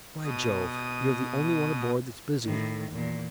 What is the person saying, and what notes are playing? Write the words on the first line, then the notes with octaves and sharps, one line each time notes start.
By Jove! you're the only one aboard that's busy.
B2 D#6
A2 D#3
E2 A#2